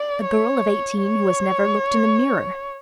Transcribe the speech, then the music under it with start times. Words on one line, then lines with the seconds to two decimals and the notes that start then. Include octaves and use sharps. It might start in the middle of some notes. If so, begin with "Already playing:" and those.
A girl of eighteen who has never looked in a mirror!
Already playing: D5
0.24 C#5
1.04 C#5